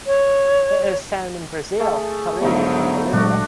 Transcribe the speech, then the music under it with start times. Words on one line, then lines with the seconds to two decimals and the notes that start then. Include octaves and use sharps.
It is found in Brazil, Peru, and Bolivia.
0.07 C#5
1.80 A3 G#4 A5
2.41 G#2 D3 F3 F#3 A3 B3 D#4
3.13 A#2 F#3 G#3 D4 F#4